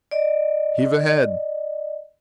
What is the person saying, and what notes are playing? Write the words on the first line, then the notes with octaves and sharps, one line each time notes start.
"Heave ahead."
D5 D#5